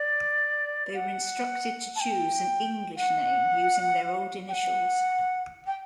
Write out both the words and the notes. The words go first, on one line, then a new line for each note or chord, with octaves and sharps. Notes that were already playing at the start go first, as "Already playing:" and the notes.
They were instructed to choose an "English" name using their old initials.
Already playing: D5
F#5
A5
G5
F#5
G5
F#5
G5